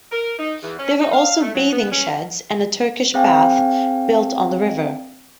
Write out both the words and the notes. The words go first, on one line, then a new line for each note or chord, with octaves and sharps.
There were also bathing sheds and a Turkish Bath built on the river.
A#4
D#4
E2
C#4
D#4
F5
A3
F#3
B3
C#4
C4 G#4 C5 F5 G5 G#5